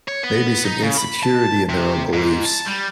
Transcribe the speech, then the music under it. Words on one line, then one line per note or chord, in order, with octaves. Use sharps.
maybe some insecurity in their own beliefs.
C#5
B3
D#4
C#3
B5
A5
C3
G#2
A5
G3